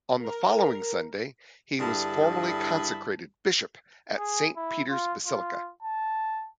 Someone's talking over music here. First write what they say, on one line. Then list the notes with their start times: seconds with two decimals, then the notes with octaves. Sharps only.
On the following Sunday, he was formally consecrated bishop at Saint Peter's Basilica.
0.21 A#4
1.79 G2 D3 E4 G#4 A5 B5
4.17 G#4
4.56 E4
4.90 F4
5.27 F4
5.83 A5